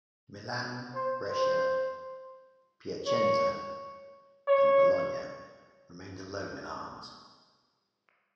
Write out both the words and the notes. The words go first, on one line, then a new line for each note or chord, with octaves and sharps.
Milan, Brescia, Piacenza and Bologna remained alone in Arms.
C5
C5
C#5
C#5